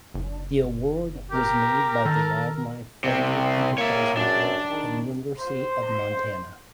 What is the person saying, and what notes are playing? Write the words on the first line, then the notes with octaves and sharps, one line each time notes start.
The award was made by the Wildlife Friendly Enterprise Network and University of Montana.
F#1
G4 A#4
D#3 A4
C2 C3
A#3 C#5 E5
F#2 D4
D#3
C5